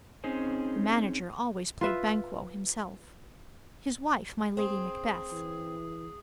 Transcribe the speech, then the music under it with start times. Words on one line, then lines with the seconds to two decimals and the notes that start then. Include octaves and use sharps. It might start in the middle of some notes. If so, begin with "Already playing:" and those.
The Manager always played BANQUO himself, his Wife my LADY MACBETH.
0.24 C4 C#4 D#4 G#4 C5
1.81 F4 B4 E5
4.57 C4 G#4
5.32 E3